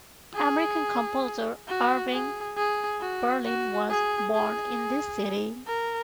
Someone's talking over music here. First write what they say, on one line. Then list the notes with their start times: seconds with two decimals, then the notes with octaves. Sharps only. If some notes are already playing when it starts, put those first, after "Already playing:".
American composer Irving Berlin was born in this city.
0.35 G#4
1.68 F#4
2.12 G#4
2.57 G#4
3.01 F#4
3.45 F#4
3.90 G#4
4.34 G#4
5.67 A#4